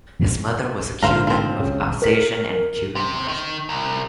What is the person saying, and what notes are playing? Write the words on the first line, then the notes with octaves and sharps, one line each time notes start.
His mother was a Cuban of Alsatian and Cuban origin.
G#2 D3 C5 F5 A#5
F3 C4
C#2 C#3
G1
A#4 B6 F#7
C3
D#3
C2